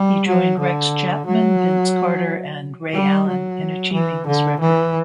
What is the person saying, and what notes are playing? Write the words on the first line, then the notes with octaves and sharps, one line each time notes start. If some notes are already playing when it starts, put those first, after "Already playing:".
He joined Rex Chapman, Vince Carter and Ray Allen in achieving this record.
Already playing: G3
F#3
D3
F#3
G3
F#3
E3
D3
E3